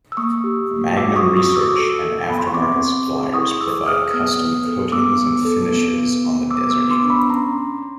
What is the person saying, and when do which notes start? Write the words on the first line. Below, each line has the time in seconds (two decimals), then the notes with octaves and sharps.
Magnum Research and aftermarket suppliers provide custom coatings and finishes on the Desert Eagle.
0.12 E6
0.17 A#3 C#6 D#6
0.44 G4
0.71 A#3
0.97 F#4 D6 E6
1.16 C#6 D#6
1.22 F#4
1.36 C#6 D#6
1.49 F#4
1.56 D6 E6
1.76 A4
2.03 A4
2.29 B3 B5
2.39 C6
2.47 C#6
2.54 C4 C6 D6
2.82 C4
3.08 G#4
3.34 E4 C#6 D#6
3.60 G#4 D6 E6
3.87 G#4 D#6 F6
4.14 B3 D#6 F6
4.39 B3
4.66 A4
4.92 B3 D6 E6
5.20 B3
5.45 A4
5.71 B3
5.98 B3
6.25 B3
6.51 B3 D6 E6
6.71 D6 E6
6.78 B3
6.91 C6 D6
7.04 D4
7.10 B5 C#6
7.29 C#4 A#5 C6
7.57 C#4
7.82 C#4